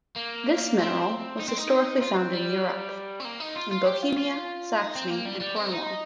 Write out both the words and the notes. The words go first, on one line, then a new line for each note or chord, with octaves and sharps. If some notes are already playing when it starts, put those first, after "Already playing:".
This mineral was historically found in Europe in Bohemia, Saxony, and Cornwall.
A#3
C4
D#4
C4
D#4
F4
C4
G3
C4
A#3
D#4
F4
F4
G4
F4
F4
D#4
C4
A#3
G3
G3
C4
D#4